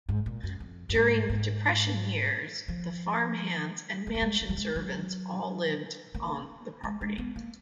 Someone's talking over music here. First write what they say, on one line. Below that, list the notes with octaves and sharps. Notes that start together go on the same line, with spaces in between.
During the Depression years, the farmhands and mansion servants all lived on the property.
G#2
A#2
F#2
F2
F#2
G#2
G#2
F3
G#3
A#3
G#3
G#3
F#3
G#3
F#3
A#3
G#3
G#3
B3
A#3